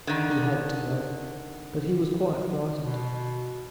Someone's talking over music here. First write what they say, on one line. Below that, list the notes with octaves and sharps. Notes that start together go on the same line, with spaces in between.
He had to go, but he was quite frightened.
D3 D#3
B2